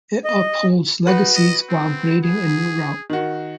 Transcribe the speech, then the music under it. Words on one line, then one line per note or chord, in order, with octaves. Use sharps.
It upholds legacies while grading a new route.
D#5
D#4 F#4 B4
D#5
C4
G#4
D#3 F#4